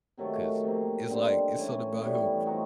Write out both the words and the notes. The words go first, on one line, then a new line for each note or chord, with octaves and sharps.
'cause it's, like, it's something about him p
C3 D#3 F#3 A3
C3 F3 A#3
D3 G3 C4 D#4
E3 A3 C#4
A2 E3 G3 B3
A3 C4 D#4 F#4